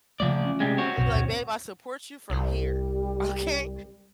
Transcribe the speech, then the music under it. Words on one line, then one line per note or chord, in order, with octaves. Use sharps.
and be like, "Babe, I support you from here, okay?"
C#3 F3 G3 A3 D5
A3 A#3 C#4
C3 G3 G#3
C4 F#4 C#5
B1 F#2 B2
D2 G2 B2
C2 G3